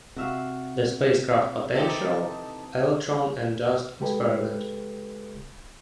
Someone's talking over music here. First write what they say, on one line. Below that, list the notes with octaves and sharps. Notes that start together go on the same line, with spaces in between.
The Spacecraft Potential, Electron and Dust Experiment.
C3 F#4 E5 F5
E3 C4 D#4 G4 A4
C#3 G#3 G4 A4 B4